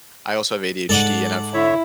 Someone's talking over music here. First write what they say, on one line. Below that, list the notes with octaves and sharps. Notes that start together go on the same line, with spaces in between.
I also have ADHD, and I've,
G#2 A4 D5 F#5
D3 E4 C#5 E5